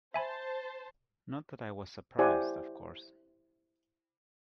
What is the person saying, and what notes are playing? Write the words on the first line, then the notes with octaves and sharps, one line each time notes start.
Not that I was surprised, of course.
C5 E5 G#5 A5 B5
E4 G4 C5 D5 F#5 G#5